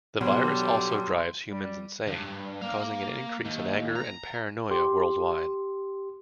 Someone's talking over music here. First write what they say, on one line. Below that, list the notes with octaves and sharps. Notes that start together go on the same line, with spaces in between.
The virus also drives humans insane, causing an increase in anger and paranoia worldwide.
B2 D3 F#3 G3 B3 B5 C6
G3
D2 G2
A#3 F5
D#2
A#5
G4 C6